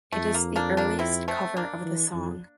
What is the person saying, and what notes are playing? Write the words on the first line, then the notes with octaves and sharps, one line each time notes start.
It is the earliest cover of the song.
F2 A3
A#3
A#3 D4
A#3 D4
C4 E4
A3 C4
A#3 D4
E3
F2